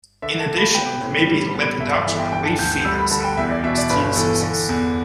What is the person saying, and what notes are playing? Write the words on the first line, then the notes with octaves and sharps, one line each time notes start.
In addition, there may be Lepidopteran leaf feeders and various tea diseases.
D3 E5
A5
A3
B5
B3 G5
A2
G3
B3
G1 E5
D5
E3 E5
G5
D3 G5
A5
D2 G6
G6
G3 E6
B5
D3 A5
G5
E2 E5
D5
B2 E5
D5
G1 B4
E3 A4
D3
E2